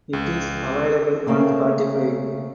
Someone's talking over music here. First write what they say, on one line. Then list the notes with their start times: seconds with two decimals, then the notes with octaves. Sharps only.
It is available on Spotify.
0.13 C#2
1.27 C#3 A3 A#3 C4